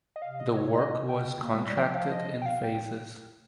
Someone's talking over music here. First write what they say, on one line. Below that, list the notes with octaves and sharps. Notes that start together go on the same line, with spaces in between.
The work was contracted in phases.
D#5
C3 F5
D#5
C#5
C#5
D#5
G5
C#3
A#3
G#3
G3
F3 G5
F5
D#5
G5
F5
G5